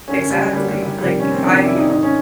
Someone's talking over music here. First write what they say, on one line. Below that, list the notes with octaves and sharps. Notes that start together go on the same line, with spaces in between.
Exactly, like, I
F#2 D3 C#4
C#4
G3
F#3
F#2 D3 G3
G3
G3
F2 C3 D#3 G3
C#4
C4
F2 C3 D#3 D4
E4
D#4
G#2 D#3 D#4
C#4